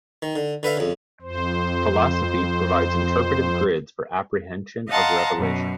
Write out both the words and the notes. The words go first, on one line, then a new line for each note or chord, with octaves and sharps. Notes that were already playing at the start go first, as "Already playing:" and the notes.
Philosophy provides interpretive grids for apprehension of revelation.
D#3
D3
D3 B4 E5 F5
F2 C#3
F2 C5
D#5 F5 F#5 A5 A#5 C6
F#2 B2